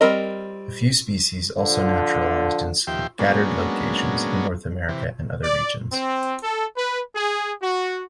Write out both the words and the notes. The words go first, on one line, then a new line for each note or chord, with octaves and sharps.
A few species also naturalized in scattered locations in North America and other regions.
G3 C4 A#4 D#5
D3 F3
D#2 F3 G4 E5 G5 C6
F#3 G#3 A#3 B3 C#4 D4
C3 E3
D5
C4
A4
B4
G#4
F#4